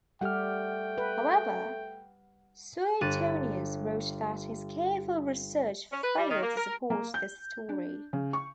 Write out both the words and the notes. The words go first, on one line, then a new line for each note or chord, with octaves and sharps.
However, Suetonius wrote that his careful research failed to support this story.
G3 A3 G4 F#5 G5 F6
B4
G1 F#6 A6 D#7
C#4
B4
G3
D#3
A#3
A#4
A#3
G6
D4
C#3
C#6